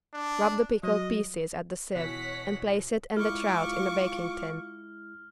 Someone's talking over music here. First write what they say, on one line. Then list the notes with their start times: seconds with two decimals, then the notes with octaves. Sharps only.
Rub the pickled pieces at the sieve and place it and the trout in a baking-tin.
0.14 D4
0.83 F#3 D#5
1.95 B2 E3 E4 C#5 F#5 B6
3.17 G#3 E4 F4 C#6 D6 F6